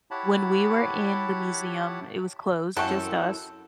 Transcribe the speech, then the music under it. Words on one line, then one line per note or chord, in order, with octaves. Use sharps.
when we were in the museum- it was closed; just us-
E4 G4 C#5 F#5 A5 B5
F#2 E4 G4 A4 F#5 G5 C#6